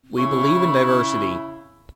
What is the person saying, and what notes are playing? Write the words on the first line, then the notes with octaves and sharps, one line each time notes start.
We believe in diversity.
C#3 E4 C#6